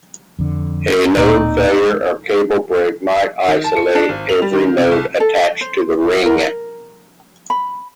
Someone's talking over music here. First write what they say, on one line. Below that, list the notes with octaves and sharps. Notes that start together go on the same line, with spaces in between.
A node failure or cable break might isolate every node attached to the ring.
F2 D3
D1 A#2 A#3 C4 D#4 D5
D#3
A5
C#7
D4
G#1
F7
G3
D#3
C3
C2
A4
C5
A#4
B5